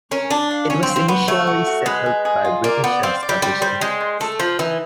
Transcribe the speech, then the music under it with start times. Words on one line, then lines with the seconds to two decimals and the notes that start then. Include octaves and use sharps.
It was initially settled by British and Scottish immigrants.
0.11 C#4 A#4
0.31 D4 A5
0.51 F5
0.70 C#4 C#5
0.83 C4
0.89 F5
0.96 C4
1.08 B3 F#4
1.28 A3 C#5
1.47 F#4
1.67 F#4
1.86 G#3 B4
2.06 G#4
2.25 G#4
2.45 F4
2.64 A#3 D5
2.84 B3 D5
3.03 C4 F5
3.23 D5
3.29 G3
3.42 G3 C5
3.61 G3 C5
3.81 G#3 C5
4.01 C5
4.21 A3 A4
4.40 F3 C5
4.59 E3 D#4